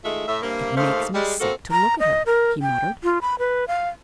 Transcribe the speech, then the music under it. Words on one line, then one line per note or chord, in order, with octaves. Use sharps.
"It makes me sick to look at her!" he muttered.
D#3 G#3 A3 F4 E5
A2 E5
G2 C3 A#3
D#2 G#2 A3 C5 F5
G3 G#3
A#3 C4 F#4 A4
A#5
D#5
A#4
G5
F4
B5
B4
F5